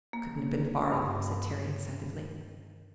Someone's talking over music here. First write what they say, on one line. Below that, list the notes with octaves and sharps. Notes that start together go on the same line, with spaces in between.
"It couldn't have been far off," said Terry excitedly.
A#3
G2